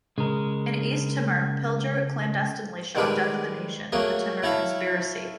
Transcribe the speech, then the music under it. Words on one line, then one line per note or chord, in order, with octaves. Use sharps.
In East Timor Pilger clandestinely shot "Death of a Nation: The Timor Conspiracy".
C#3 G#3 A#4
D#3 G3 G#3 G4 B4
F#3 A3 A#3 F#4 G#4
F#3 E4 A4 F5